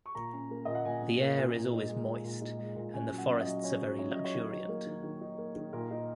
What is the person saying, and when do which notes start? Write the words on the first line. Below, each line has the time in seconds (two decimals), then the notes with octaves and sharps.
The air is always moist, and the forests are very luxuriant.
0.06 C#6
0.15 A#2 A#5
0.33 C#4
0.51 A#3
0.65 A#2 D#5
0.75 F#5
0.85 A#2 G#5
1.02 C#4
1.20 A#3
1.38 A#2
1.55 A#2
1.73 D#4
1.89 G#3
2.07 A#2
2.24 A#2
2.42 D#4
2.59 G#3
2.76 A#2
2.94 C#4 G#5
3.12 F#3
3.18 F#5
3.29 C#4
3.41 D#5
3.46 F#3
3.64 C#4 C#5
3.81 F#3
3.99 C#4 C#5
4.11 F#3 D#5
4.24 C#5
4.34 D#3
4.51 D#4
4.69 A#3
4.86 D#3
5.03 D#3
5.21 D#4
5.38 A#3
5.55 D#3
5.73 A#2 A#4
5.91 D#4